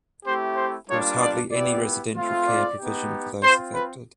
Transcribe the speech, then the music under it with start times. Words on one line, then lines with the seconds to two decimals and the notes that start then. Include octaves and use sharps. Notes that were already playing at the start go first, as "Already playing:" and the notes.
There was hardly any residential care provision for those affected.
0.25 A3 C4 E4 G4 C5
0.57 C5
0.88 G3 A#3 D4 F4 C#5
1.20 D5
1.52 B3 E4 G4 D5
2.15 A3 C4 F4
2.47 D5
2.78 B3 D#4 G4
3.42 C4 F4 C5
3.74 B4